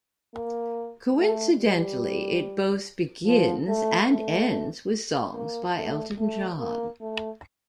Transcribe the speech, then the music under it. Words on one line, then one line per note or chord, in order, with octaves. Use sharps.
Coincidentally, it both begins and ends with songs by Elton John.
A#3
A3
G3
F3
A3
A3
A#3
A3
A3
A#3
A3